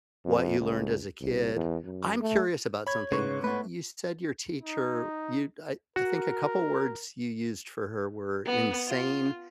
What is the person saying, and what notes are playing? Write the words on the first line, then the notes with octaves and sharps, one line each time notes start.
what you learned as a kid. I'm curious about something. Y you said your teacher you I I think a couple words you used for her were insane,
F2
C#2
C2
E2
F#2
A3
C#5 B5 G#6
G#2 C#3 B4 C#6
A3 B3 B4
D#4
F#4 A#4
B3
F4